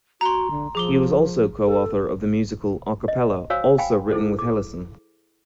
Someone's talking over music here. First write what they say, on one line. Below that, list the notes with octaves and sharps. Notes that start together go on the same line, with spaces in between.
He was also co-author of the musical "A Cappella," also written with Hellesen.
F#4 A#5 C6
D3
F3 G#4 D6 G7
A4
D#5
F#4 C5 C#5 F5 G#5 E6
F5 G5 G#5 B5
E4 G#4 A4 C5
D6